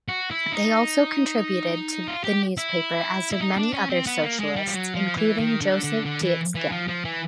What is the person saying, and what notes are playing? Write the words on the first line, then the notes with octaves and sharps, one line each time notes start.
They also contributed to the newspaper as did many other socialists including Joseph Dietzgen.
F#4
E4
D#4
F4
G4
E4
E4
D#4
D4
C#4
C4
B3
A#3
G#3
G3
F3
F#3
F3
E3
D#3
D3
D3
D3
E3
E3
F3
F3
E3